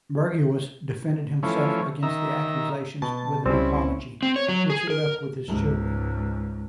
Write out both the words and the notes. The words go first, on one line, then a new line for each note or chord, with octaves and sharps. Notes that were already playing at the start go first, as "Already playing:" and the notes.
Bergius defended himself against the accusations with an apology, which he left with his children.
E3 F3 A3 C#4
D#3 E5 A#5
B2 A5
C#2 G3 C4 C#4 E4
C4
C#5
F#3
G#4
A#4
C#2 G#2